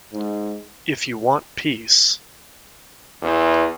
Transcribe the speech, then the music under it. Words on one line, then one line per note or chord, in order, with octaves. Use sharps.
If You Want Peace...
G#2
E2